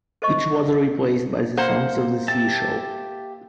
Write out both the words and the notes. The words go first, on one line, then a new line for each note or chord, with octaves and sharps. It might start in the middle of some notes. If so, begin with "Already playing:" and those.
It was replaced by the "Songs of the Sea" show.
A4 C5 D#5 C#6
A#3 C5 F#5
G4 E5 A5